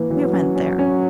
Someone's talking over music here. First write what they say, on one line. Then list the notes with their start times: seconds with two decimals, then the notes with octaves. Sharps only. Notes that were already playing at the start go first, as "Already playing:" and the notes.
We went there.
Already playing: E3 A#3
0.10 E3 F#3
0.33 C#4
0.56 C#4
0.79 C#4